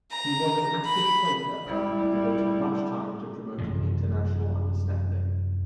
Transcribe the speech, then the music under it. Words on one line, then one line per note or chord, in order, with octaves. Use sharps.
He was an active Quaker and devoted much time to promoting international understanding.
A#5
B5
G3 E4
F#2 C3 E3 F3